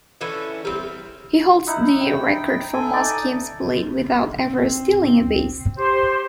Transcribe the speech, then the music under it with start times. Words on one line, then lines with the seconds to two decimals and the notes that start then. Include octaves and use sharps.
He holds the record for most games played without ever stealing a base.
0.21 D3 E3 C#4 E5
0.65 G3 C4
1.67 D#4 E4 F#5
2.00 G5
2.73 A4 G#5
2.93 D#4 D5
4.44 C4
5.76 G4 C5